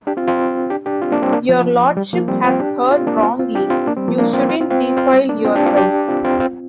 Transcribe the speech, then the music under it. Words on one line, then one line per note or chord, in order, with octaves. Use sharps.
Your Lordship has heard wrongly, you shouldn't defile yourself.
D4 G4
C4 F4
C4 F4
D4 G4
D4 G4
C4 F4
A#3 D4
G3 C4
A#3 D4
F3
G3
F3 A#3
G3 C4
C4 F4
D4 G4
C4 F4
A#3 D4
C4 F4
C4 F4
D4 G4
C4 F4
A#3 D4
G3 C4
F3 A#3
A#3 D4
C4 F4
C4 F4
C4 F4
C4 F4
C4 F4
G3 C4
A#3 D4
C4 F4
D4 G4
C4 F4
D4 G4
C4 F4
C4 F4
C4 F4